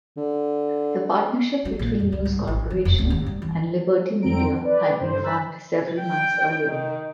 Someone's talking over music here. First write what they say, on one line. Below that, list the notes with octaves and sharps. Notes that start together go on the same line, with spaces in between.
The partnership between News Corporation and Liberty Media had been formed several months earlier.
D3
F#3
A#1
F#2
C#2
G#2
A1
E3
F1
D1
D#2
G2
E3
F2 G#2 D3 C4 A#5 D7
C4
B4 D5
G2 D3 C5
A#5 E6 F#6 G6 A6 B6
G5
D#3